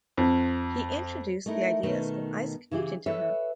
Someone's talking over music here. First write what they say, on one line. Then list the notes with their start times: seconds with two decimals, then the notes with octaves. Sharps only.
He introduced the ideas of Isaac Newton to her.
0.18 F2
1.46 A3 D#4 E4 A#4
1.83 B2 D#3 A3
2.71 C#3 E3 G4 G#4
3.06 A4 B4 C#5 E5